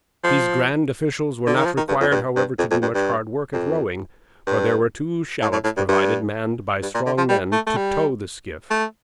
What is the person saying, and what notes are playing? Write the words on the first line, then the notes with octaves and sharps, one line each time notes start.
These grand officials were not required, however, to do much hard work at rowing, for there were two shallops provided, manned by strong men, to tow the skiff.
F3
D3
D#3
F3
D#3
G2
F2
G2
G2
F2
F2
G2
G2
F2
G2
A2
A2
A2
G2
G2
G2
A#2
D3
F3
G3
A3
A3
G3
A3